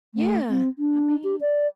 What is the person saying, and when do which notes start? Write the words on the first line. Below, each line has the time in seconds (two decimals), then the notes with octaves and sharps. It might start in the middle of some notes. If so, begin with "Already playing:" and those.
yeah, I mean
0.14 A3
0.49 C4
0.78 D4
1.24 G4
1.41 D5